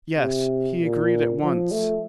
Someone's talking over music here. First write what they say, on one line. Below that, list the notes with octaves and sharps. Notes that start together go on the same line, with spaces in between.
"Yes; he agreed at once."
C3
A#2
F3
A3